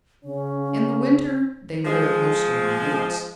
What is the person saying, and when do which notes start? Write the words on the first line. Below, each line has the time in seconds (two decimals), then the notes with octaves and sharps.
In the winter they live mostly on roots.
0.24 C#3 C#4
1.85 F3 G#3